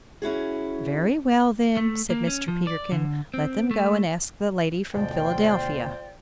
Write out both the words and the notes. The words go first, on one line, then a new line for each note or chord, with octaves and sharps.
"Very well, then." said Mr. Peterkin, "let them go and ask the lady from Philadelphia."
C#4 E4 F#4 G#4
A3
A#3
C#4
F3
D5
D3
C4
A3
D2 B2 F4 C5 D5 G5